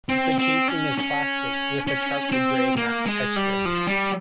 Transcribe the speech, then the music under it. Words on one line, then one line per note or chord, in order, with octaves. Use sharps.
The casing is plastic, with a charcoal-gray matte texture.
C4
C4
C#4
C#4
C#4
C4
A#3
G#3
G3
F3
G3